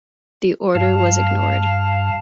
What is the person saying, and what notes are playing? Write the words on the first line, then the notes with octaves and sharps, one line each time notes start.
The order was ignored.
G2 F5 A5 F6